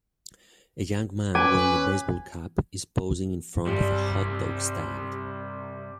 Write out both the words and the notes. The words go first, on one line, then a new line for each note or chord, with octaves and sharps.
A young man wearing a baseball cap is posing in front of a hotdog stand.
C#4 B4 G#5 D6
G2 C3 G3 G5